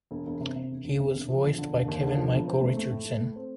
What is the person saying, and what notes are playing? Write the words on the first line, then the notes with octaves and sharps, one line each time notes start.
He was voiced by Kevin Michael Richardson.
E1
E1
C3
C3
E1
D2
C3
E1
F3
E1
D3
D#2
D#2
D3
F3
E1
C4
A3
A3
A2
A3
A3
C4